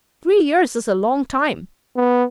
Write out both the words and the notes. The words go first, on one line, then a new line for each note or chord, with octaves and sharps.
Three years is a long time.
B3